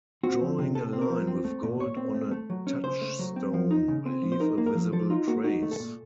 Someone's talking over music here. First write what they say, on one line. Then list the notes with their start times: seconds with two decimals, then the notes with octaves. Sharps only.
Drawing a line with gold on a touchstone will leave a visible trace.
0.23 C4 F#4
0.41 F3
0.58 C3
0.75 C3 A4
0.93 C4
1.01 A#4
1.10 F3
1.27 C4
1.45 A3
1.63 A#2
1.80 A#2 C#5
1.97 C4
2.14 A3
2.31 A3
2.50 F#3
2.67 C#4
2.83 C#3 C5
3.01 A3
3.19 F#3
3.36 C4
3.54 F3
3.71 D#4
3.88 C#3
4.06 C4
4.23 F3
4.32 C5
4.40 D#4 A#4
4.58 A#3
4.66 A#4
4.75 F3
4.92 F3 A4
5.10 D#4 F4
5.28 A#3 F#4
5.44 D#4 F#4
5.63 A3
5.71 A4
5.80 A#2